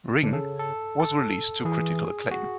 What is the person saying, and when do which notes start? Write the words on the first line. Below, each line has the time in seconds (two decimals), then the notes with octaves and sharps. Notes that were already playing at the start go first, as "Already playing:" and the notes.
"Ring" was released to critical acclaim.
0.23 D3
0.33 C#3 A4
0.59 A4
1.00 A4
1.65 E3 G#4
2.31 F#4